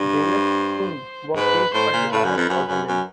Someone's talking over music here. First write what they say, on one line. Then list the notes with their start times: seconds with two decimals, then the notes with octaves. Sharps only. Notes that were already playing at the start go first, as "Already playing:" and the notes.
Janus too was seized by desire for the nymph.
Already playing: G2
0.22 C5
1.35 G#2 B4
1.73 A2 C5
1.93 A#2
2.12 A2 B4
2.24 F#2
2.37 F2
2.50 F#2
2.68 F#2
2.88 F#2